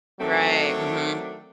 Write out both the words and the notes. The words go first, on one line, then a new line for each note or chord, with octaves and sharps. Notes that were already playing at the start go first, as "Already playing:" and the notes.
Right, mhm.
D#3 F#3 A3 C4 D4